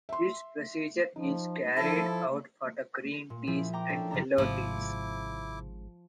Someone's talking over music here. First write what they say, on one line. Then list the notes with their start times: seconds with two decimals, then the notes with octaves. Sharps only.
This procedure is carried out for green teas and yellow teas.
0.09 E5 C6
1.16 F3 D#4
1.76 F3 E4 A4
3.30 A#2
3.47 F3 E4 G#4
3.73 G5 A#5 D6
3.89 C#4 D4 A4
4.11 F#1 C#3 D4 A#5
4.38 G#1 G#2 C3 F3 E4 D6